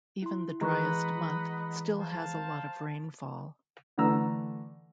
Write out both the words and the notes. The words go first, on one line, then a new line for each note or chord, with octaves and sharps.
Even the driest month still has a lot of rainfall.
E4 C6
E3 G#3 D#5 F#5 A#5 B5 C#6 F#6
C5 F5 A5
D3 E3 A3 A#5 E6